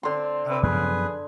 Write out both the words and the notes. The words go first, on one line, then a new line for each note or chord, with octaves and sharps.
Oh no.
D3 C4 C6
C4 B4
F#2 F3 B3 G#4 B4